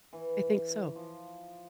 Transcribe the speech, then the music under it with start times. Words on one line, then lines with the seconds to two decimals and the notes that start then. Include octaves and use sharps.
I think so.
0.13 E3
0.95 F3